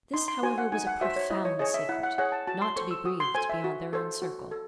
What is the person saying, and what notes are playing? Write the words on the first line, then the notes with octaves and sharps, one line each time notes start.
This, however, was a profound secret, not to be breathed beyond their own circle.
D#4 C6
C6
F#4 C5 G#5
F#5
D#4 G#5
F#5
F#4 C5 E5
C#5
E4 D#5
C#5
G#4 C#5 D#5
E5
E4 F#5
F#5
G#4 C#5 F#5
A5
F#4 A5
C6
A4 C5 C#6
E6
F#4 D#6
C6
A4 C5 G#5
E5
F#4
A4 C5
F#4
A4